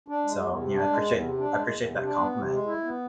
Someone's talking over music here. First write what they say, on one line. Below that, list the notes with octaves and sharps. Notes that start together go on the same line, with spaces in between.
so, you know, I appreciate I appreciate that compliment.
D4
G#3
E2
C3
D4
G#3
E2
C3
D4
G#3
E2
C3
D4
B3
C3
G#3
E4
B3